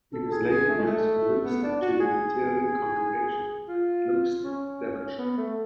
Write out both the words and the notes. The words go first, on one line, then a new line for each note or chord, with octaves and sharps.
In his later years he ministered to a Unitarian congregation at Lympston, Devonshire.
A4
G#4
G#4
A3
G#3
A3
B3
D4
F#4
G#4
F4
C#4
B3
A3